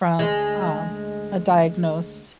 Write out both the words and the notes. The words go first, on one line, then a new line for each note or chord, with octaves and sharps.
from, um, a diagnosed
D2 G#3